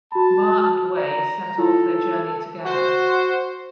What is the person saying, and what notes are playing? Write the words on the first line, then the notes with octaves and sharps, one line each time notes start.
Ma and Wei set off their journey together.
F#4 A5 B5
D5 A#5
E4 F4 A4
F#4 C5